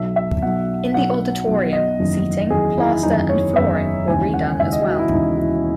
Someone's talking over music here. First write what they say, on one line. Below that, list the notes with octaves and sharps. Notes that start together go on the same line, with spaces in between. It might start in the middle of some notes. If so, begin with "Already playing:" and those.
In the auditorium, seating, plaster, and flooring were redone as well.
Already playing: B1 B2 E5
E5
B1 B2 F#5
B1 B2 F#5
B1 B2
D#5
F#1 E2 D#3
F#1 E2 D#3 G#4
E4
F#1 E2 D#3 D#4
C#5
F#1 E2 D#3 E5
E1 D#2 C#3 E3 G#5
F#5
E1 D#2 C#3 E3 E5
D#5
F#4
E4
E1 D#2 C#3 E3 D#4
E4